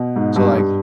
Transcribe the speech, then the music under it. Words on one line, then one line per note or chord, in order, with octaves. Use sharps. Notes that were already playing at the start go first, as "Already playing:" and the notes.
So, like,
Already playing: B2
G#2
G2
G2